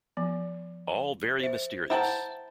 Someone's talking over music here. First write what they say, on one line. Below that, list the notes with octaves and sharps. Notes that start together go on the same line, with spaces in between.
All very mysterious!
F3 B3
C5 E5
E4 C5 F#5 G5 A5 A#5